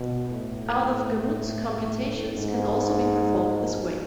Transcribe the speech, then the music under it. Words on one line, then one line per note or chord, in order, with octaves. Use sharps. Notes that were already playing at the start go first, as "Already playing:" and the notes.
Out-of-gamut computations can also be performed this way.
Already playing: B2
A2
G#2